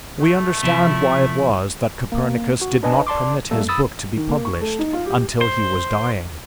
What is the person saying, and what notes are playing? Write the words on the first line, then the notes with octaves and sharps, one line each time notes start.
We understand why it was that Copernicus did not permit his book to be published until he was dying.
A3
C3 F3 E4
A#3
F#4
D4 B4 D#5 G#5 A5
D5 A5 C6 D6
G3 A3 A#3 A4
B5 D#6 E6 A6
D#3
A#3
C#6
A3
D#4
F4
G4
C5